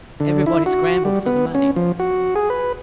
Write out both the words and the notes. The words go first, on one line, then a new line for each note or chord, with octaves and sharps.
Everybody scrambled for the money.
D3
E4
F#4
G3
B3
C#4
F3
F#4
G#4
B4